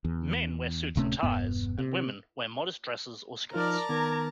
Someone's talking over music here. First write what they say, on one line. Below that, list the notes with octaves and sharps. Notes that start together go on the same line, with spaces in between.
Men wear suits and ties, and women wear modest dresses or skirts.
E2
D1 C3 A3 C#4
E1 G2 B3
C3
F3 D#4 F4 A#4 D5 A5 A#5 F6
D#3 B3 A#4 D6 G#6